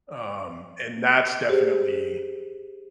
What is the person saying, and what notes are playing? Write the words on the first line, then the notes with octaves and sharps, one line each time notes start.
Um, and that's definitely
G4 G#4 C5